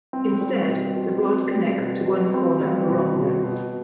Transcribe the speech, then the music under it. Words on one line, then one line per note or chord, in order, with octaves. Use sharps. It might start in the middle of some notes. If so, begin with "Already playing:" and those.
Instead, the rod connects to one corner of a rhombus.
C4
G3
B2
B2
C4
G3
B2
B2
C4
G3
B2
B2
B2